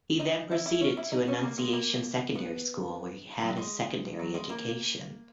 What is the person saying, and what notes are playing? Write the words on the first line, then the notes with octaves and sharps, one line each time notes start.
He then proceeded to Annunciation Secondary School where he had his Secondary education.
D#4
E4
E4
C#4
E4
D#4
C#4
A#3
G#3
A#3
B3
F#3
G#3
F#3
G#3
A#3